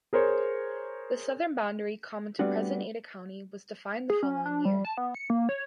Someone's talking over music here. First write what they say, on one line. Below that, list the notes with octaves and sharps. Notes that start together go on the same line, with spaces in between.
The southern boundary common to present Ada County was defined the following year.
G#4 A#4 C5 C#5
G3 A3 B3 C4 D4 F#4
G#4
C#4
D4
G3
A5
B3
C#7
A#3
C#5